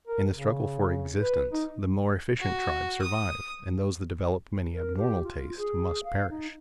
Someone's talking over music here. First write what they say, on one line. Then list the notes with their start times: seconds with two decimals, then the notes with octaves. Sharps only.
In the struggle for existence the more efficient tribes survive, and those that develop many abnormal tastes must perish.
0.08 A#4
0.32 C#3
1.19 B4
1.53 D#4
2.39 F#4
3.01 D#6
4.74 A#4
4.96 G4
5.23 F4
5.58 G#4
6.04 F5
6.30 D#4